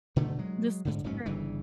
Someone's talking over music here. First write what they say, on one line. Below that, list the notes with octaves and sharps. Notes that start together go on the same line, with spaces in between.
This is true.
B2 D3 D#3 A3
F#3 G#3
G#2 D3
F1 G#2 F#3 C#4
G1 G2 C#3 E3